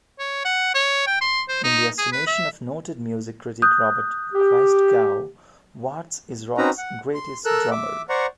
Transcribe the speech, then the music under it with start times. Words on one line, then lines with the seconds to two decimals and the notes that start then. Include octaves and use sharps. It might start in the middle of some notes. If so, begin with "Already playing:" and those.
In the estimation of noted music critic Robert Christgau, Watts is rock's greatest drummer.
0.19 C#5
0.45 F#5
0.74 C#5
1.07 G5
1.21 C6
1.49 C5
1.64 D#4
1.98 G#4
2.12 B4
2.27 E5
3.62 D#6 F#6 G6
4.34 G4
6.57 C4 C#4 D#4 F#4 B4 A#5
6.78 F#5
7.14 C6
7.45 A4 A#4 E6 F#6
7.71 E5 D6
8.09 C5 D5 F#5 A#5 C#6